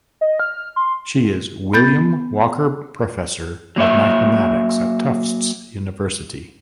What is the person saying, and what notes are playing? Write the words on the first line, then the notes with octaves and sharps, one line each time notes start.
She is William Walker Professor of Mathematics at Tufts University.
D#5
F6
C6
B3 G6 A6
F#3 A#3 C#5 E5